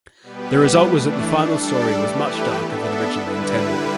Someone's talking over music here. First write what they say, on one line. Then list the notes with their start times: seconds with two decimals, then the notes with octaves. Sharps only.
The result was that the final story was much darker than originally intended.
0.22 B2 G3 B3 G4 B4
0.80 E3 A3 D4
1.38 G3 D4 A4 D5
1.96 E3 A3 G4 B4
2.54 B3 D4 A4 E5
3.12 D3 G3 E4 B4